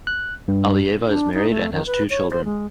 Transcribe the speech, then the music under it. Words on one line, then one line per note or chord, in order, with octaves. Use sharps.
Aliyeva is married and has two children.
F#6
G2
D4
D#4
A3
D#3
B4
C#5
C5
G#3